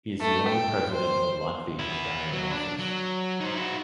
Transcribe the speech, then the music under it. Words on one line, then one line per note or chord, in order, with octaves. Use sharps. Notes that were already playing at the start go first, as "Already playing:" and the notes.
He is the only President of Latvia to die in office.
A3
G5
C5
B3 E4
F#3
D4
F#3
D#4 C5
E4 F#4